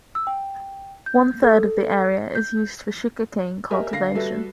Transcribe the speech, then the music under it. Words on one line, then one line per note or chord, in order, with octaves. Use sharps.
One third of the area is used for sugar cane cultivation.
E6
G5
G6
A4
G6
G4 A#4 D#5 E5 G#5
D3 F5 A#6 C7
G3 F#4 A4 B4 E5